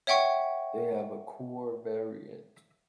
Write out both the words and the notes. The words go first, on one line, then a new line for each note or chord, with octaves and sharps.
They have a core variant.
C#5 E5 F#5 G5 C#6